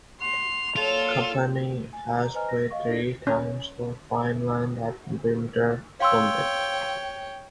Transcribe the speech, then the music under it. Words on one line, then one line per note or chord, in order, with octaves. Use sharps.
Kapanen has played three times for Finland at the Winter Olympics.
F#5 C6 F7
A#2 F#3 F4 A4 C6
G#5
A#5
B4 C5 D#5 G#5 A#5 F6
A#6
D#5 F5 C#6
D4 E4 A4 D5 A#6
C#4
C#5 F5 G5 C6 E6